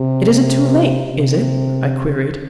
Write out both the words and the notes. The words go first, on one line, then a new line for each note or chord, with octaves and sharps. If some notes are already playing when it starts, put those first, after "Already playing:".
"It isn't too late, is it?" I queried.
Already playing: C3
C3
C3